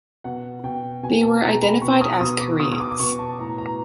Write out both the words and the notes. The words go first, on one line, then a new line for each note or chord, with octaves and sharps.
They were identified as Koreans.
B2 F#5
B2 G5
B2 G#5
A5
B2 A#5
B5
B2 C#6
D#6
B2 D#6
D6
B2 D#6
D#6
D6
D6
B2 C#6
A5
A2 A#5
A#5